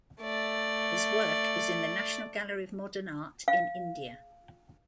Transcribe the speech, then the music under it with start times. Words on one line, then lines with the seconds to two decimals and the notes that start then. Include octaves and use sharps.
His work is in the National Gallery of Modern Art in India.
0.21 A3 D5
3.48 F5